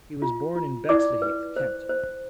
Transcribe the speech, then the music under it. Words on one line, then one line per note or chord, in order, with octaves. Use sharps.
He was born in Bexleyheath, Kent.
F4
F4
E4 D5 D6
B4
C5
C5